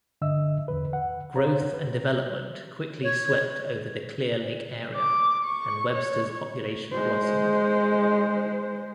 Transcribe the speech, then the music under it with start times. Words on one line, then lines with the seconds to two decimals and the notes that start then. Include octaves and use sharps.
Growth and development quickly swept over the Clear Lake Area, and Webster's population blossomed.
0.21 G2 D3 D#5 E5 E6
0.68 E2 D3 B4
0.93 B4 F#5
1.36 C5 C#5 F5 A#5
1.73 B4
3.03 C#5
4.96 D6
5.45 C#6
5.93 C#5
6.92 G#3 C5